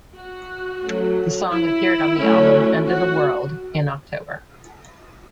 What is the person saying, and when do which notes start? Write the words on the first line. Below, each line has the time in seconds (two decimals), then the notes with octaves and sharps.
The song appeared on the album "End of the World" in October.
0.15 F#4
0.83 F#3 A3 C#4
1.51 E4
2.18 F#3 A3 C#4
2.86 F#4